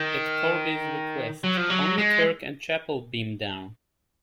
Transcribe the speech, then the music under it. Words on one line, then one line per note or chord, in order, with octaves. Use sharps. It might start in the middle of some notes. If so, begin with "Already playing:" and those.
At Korby's request, only Kirk and Chapel beam down.
Already playing: D#3
F#3
F3
F#3
G#3